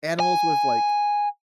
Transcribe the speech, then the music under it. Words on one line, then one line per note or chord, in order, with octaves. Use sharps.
animals with, like
G#5